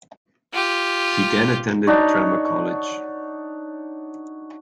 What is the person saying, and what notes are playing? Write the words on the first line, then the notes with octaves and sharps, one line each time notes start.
He then attended Drama College.
F4 G4
D4 D#4 F#4 C#5